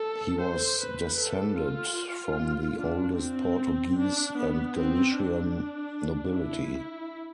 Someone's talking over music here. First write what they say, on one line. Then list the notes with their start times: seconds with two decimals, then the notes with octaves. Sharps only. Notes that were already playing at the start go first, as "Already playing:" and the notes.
He was descended from the oldest Portuguese and Galician nobility.
Already playing: A4
0.40 C5
0.81 B4
1.20 A4
1.60 F4
2.78 D4
3.18 C4
3.99 D4
4.38 B3
4.77 C4
5.17 D4
6.35 E4